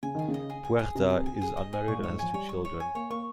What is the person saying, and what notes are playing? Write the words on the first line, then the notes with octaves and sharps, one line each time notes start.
Puerta is unmarried and has two children.
C#3 G#5
D#3 G#4
C#3
D#5
G#4
G#5
G#4
C3 D#5
G#4
G#5
G#4
D#5
G#4
A#2 C#6
G#2
C#5
G#2
F3 G#5
G3 C#5
C#6
C#5
G#5
A#3 C#5
A#3 C#6